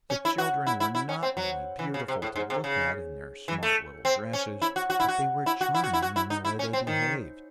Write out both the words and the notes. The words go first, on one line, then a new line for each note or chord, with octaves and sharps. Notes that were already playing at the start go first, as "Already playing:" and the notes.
The children were not only beautiful to look at in their smart little dresses, but they were charming in the way they behaved.
C#4
E4
F#4
E4
E4
E4
C#4
C4
F#3
E3
C#3
C3
A2
G#2
C3
C#3
E3
A3
C4
C#4
E4
F#4
F#4
E4
F#4
E4
F#4
E4
F#4
E4
F#4
E4
D#4
E4
C#4
C4
D#3